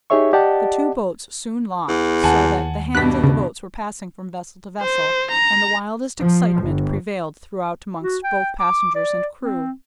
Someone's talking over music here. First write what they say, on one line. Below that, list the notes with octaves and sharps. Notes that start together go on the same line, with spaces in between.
The two boats soon locked, so that the hands of the boats were passing from vessel to vessel, and the wildest excitement prevailed throughout amongst both passengers and crew.
D#4 G4 G#4 C#5 E5 C#6
G4 D5 D#5 F#5 A5
E2
D#2 F#5 G#5 A5
G2 B2 G3 F#6 B6
C#3
C5
A#5
F3
G1
F#4
G5
D6
D5
C4